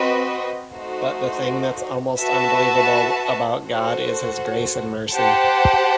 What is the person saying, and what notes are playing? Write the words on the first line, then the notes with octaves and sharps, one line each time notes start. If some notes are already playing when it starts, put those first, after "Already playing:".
But the thing that's almost unbelievable about God is His grace and mercy.
Already playing: C4 F#4 B4 D#5
A3 D#4 F#4 C5
F#4 B4 E5 A5
F#4 A4 C5 F#5
G4 C5 F#5 A5